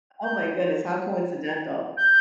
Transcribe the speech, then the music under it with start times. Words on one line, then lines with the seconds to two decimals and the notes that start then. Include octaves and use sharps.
Oh my goodness, how coincidental.
0.24 G6
1.97 G6